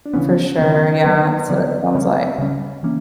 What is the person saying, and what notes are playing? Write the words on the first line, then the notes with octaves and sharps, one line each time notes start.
For sure, yeah, so, that sounds, like
D4
C#3 E3 B3 C#4
C#3 E3 B3
D3 F#3 B3 B4
D3 F#3 B3 D5
B4
C#3 G3 C#4 C#5
C#3 G3 C#4
E3 A#3 C#4